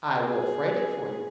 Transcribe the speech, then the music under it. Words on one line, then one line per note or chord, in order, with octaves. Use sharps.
"I will freight it for you."
G#4